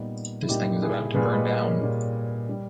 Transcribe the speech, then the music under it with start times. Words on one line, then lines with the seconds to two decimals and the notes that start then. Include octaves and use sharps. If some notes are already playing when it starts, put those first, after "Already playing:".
This thing is about to burn down.
Already playing: A#2 G3 B3 D#4
0.42 E4
0.49 A#2 G3 D#4 G4
0.82 E4 G#4
1.14 A#2 G3 G#4 B4
1.31 B4 D#5
1.49 B4 D#5
1.64 A#4 C#5
1.81 A#2 G3
2.49 G3